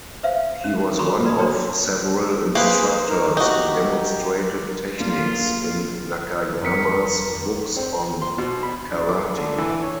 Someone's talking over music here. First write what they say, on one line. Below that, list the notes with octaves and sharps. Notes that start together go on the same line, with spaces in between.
He was one of several instructors who demonstrated techniques in Nakayama's books on karate.
B4 C5 E5 F5
C#4
F#4 G#4 A#5 B5 C#6
B4 D5 G#5 B5 D#6
D4 F#4 C5 C#5 G5
A#3 G#4 B4 C5
D#4 A#4
D#4 F#4 G4
A#3 D4 F4
F2 A#4 B6 C#7
C4
C6
B2
B5
D4
D6
D3
E3
C#5